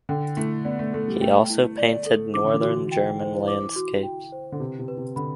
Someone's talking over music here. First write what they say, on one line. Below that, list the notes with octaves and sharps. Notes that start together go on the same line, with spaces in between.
He also painted northern German landscapes.
D3 G5
A3 E4
B3 D5
A3
A3 A4
G3
A3 G5
E4
D5
A4
E3 D6
D3
E3
F#4
G5
C5
D6
F#4
G5
C5
D3
C3 B4
C3
B4
C3
D3 B5